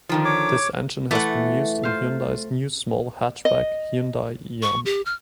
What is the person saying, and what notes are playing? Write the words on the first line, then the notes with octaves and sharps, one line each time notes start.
This engine has been used in Hyundai's new small hatchback Hyundai Eon.
D3 D#3 F3
C#5 D6
E3 A3 F#5
F4 C5 F5
D#5
C#6
G4
F6